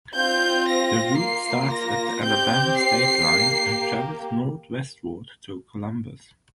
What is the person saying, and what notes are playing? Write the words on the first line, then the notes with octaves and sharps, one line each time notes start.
The route starts at the Alabama state line, and travels northwestward to Columbus.
C4 F4 G6
A#6
A#3 F4 C7
A#6
C4 G4 G6
C7
A#3 G4